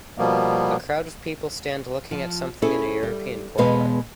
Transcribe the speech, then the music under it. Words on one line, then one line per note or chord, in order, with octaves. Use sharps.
A crowd of people stand looking at something in a European courtyard.
B2 F3 G3 A#3 B3
F3
C#4 E4 G#4 A4
G3
E2 B2 G#3 B3 B4 F5